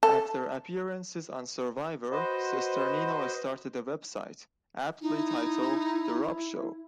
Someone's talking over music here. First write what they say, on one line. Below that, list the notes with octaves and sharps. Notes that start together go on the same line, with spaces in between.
After appearances on "Survivor", Cesternino started a website, aptly titled "The Rob Show".
A4
F#4 B4 C5 D#5
D#4 E4